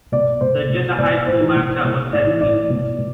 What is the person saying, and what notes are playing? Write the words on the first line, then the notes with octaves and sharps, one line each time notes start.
The Agenda High School mascot was Huskies.
B2 D5
B2 C5
B2
B2 D5
A2 C5
E3
B2
B2
A2 D5
E3
A2 D5
E3
B2
B2